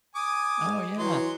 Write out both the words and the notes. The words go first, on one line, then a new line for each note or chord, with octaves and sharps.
Oh, yeah.
G#5 D6 D#6
G#3
E3 F#3 C6